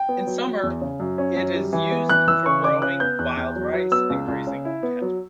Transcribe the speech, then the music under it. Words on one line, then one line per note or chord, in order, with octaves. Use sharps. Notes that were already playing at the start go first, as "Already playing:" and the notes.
In summer it is used for growing wild rice and grazing cattle.
Already playing: G5
B3
F#3
F#3
E2
C#3
F#2
C#4
F#2
G3
E3
B3
E3 F#6
E3 E6
C#3 C#6
C#3 D6
C#3 F#6
B3 G6
E2 F#6
E2
F#3
F#3
B3 E6
C#2
C#2
C#3
E4
B3
F#3